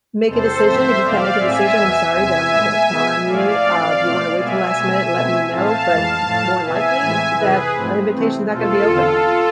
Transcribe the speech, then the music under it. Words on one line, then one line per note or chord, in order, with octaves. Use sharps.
make a decision if you can't make a decision, I'm sorry, then I'm not gonna count on you. Uh, if you wanna wait till last minute, let me know, but m more likely that invitation's not gonna be open.
E2 C3 E3 G#3 C4 A4 C5
G#2 F3 A3 C4 C5 E5
E2 B2 A3 C4 D5 F5
A2 G#3 C4 E5 G#5
E2 B2 B3
E2 C3 G#3 C4 E5 G#5
A2 G#3 B3
B2 G#3 B3
A2 F3 A3 D5 F5
G#2 F3 A3 C4
B2 A3 C4
B2 G#3 B3 E5 G#5
B2 A3 C4
B2 A3 C4
A2 E3 A3 C4 F5 A5
F2 E3 G#3
A2 F3 A3
E2 C3 E3 B3 E5 G#5
A2 E3 G#3 C4
F2 C3 E3 G#4 B4
G#2 F3 A3 C4
C3 E3 A3 C4
E2 B2 A3 C4 F4 A4
E2 D3 G#3 C4